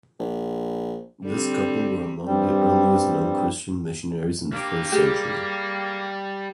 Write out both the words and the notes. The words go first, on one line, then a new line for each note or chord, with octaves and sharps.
This couple were among the earliest known Christian missionaries in the first century.
A#1
D3 G3 C4
G2 G3 C4
G2 A#3 G4
G3 G4 G#4 A#4